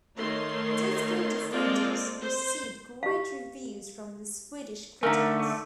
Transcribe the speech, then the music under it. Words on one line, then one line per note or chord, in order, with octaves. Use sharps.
"Disco Defenders" received great reviews from the Swedish critics.
D#3 A3 C#5 C6
G#3 A#3 C4 F4 A4 D5
C5
G4 F5
D3 A3 D#4 A#4 F5 G#5